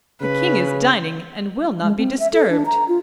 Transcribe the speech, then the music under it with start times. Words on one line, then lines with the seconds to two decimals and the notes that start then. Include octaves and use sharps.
The King is dining, and will not be disturbed.'
0.21 C#3 B4
1.82 G#3
1.98 C4
2.19 E5
2.33 A4
2.50 D4
2.66 A#5
2.88 F4